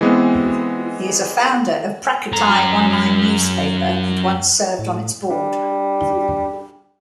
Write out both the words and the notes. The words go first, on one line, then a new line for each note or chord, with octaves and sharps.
He is a founder of "Prachatai" online newspaper and once served on its board.
E3 G#3 B3 C4
F#2 A#5
A2
G3 D4